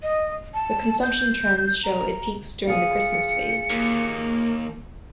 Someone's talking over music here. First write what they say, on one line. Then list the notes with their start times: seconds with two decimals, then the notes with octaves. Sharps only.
The consumption trends show it peaks during the Christmas phase.
0.03 D#5
0.54 A5
1.03 G6
1.84 A#5
2.67 F4 G#4 C#7
3.70 D#2 A#3